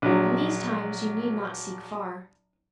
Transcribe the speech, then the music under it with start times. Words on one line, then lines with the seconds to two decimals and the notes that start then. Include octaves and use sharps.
In these times you need not seek far.
0.02 A#1 F#3